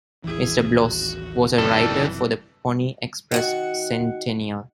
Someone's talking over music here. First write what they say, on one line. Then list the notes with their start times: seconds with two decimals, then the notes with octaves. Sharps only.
Mr. Bloss was a writer for the Pony Express Centennial.
0.24 A1 D#2 E3 E4 G#4
0.78 F#4
1.58 F#1 F#2 C3 D#3 E3 G3 A4
3.31 D#3 F#4 F#5